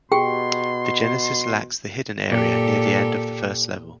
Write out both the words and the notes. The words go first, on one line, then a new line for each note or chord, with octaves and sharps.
The Genesis lacks the hidden area near the end of the first level.
B2 G4 G#4 G5 C6
A#2 G4 A4